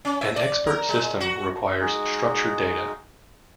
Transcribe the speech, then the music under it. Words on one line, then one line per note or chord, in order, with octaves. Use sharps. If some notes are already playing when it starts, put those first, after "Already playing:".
An expert system requires structured data.
C#4
E5
D5
A#4
G#3
F#4
G#3 D#4 F#4 G#4